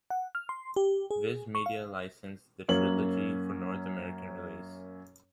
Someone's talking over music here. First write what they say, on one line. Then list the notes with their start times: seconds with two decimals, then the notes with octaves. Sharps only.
Viz Media licensed the trilogy for North American release.
0.10 F#5
0.35 F6
0.49 C6
0.76 G4
1.11 G#4
1.55 C#6
1.66 F5
2.69 F#2 A#3 C#4 F#7